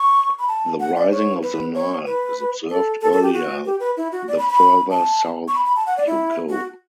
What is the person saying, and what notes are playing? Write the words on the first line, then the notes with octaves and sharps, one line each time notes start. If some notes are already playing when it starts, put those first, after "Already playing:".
The rising of the Nile is observed earlier the further south you go.
Already playing: C#6
B5
A5
F#5
D5
C#5
B4
C#5
B4
A4
A4
A4
G4
F#4
G4
B4
E4
F#4
D5
B5
B5
A5
C#6
B5
B5
A5
F#5
D5
E4
F#4